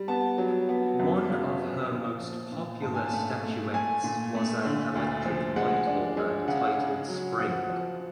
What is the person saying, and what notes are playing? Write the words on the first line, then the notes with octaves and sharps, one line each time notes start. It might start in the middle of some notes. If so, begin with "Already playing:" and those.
One of her most popular statuettes was an electric light holder titled "Spring".
Already playing: G3
B3 A5
F#3
B3
F#2
C#3
F3
A#2
F3
A#2
G#2 A5
G#5
A5
A3
A3
A3 G#5
A#2
A3
D3
D2
F3
G#3 F#5
D4
G#3
C#3 F#5
C#3
F#3
F3 F#5
F3